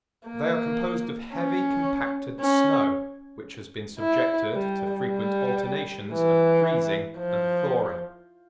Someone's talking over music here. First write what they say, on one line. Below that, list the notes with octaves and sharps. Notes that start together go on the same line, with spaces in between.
They are composed of heavy, compacted snow, which has been subjected to frequent alternations of freezing and thawing.
A#3
C#4
C#4
E4
G3
G3
E3
F3